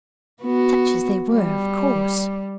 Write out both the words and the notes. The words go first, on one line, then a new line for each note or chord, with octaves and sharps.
"Such as they were, of course."
B3 F#4
G3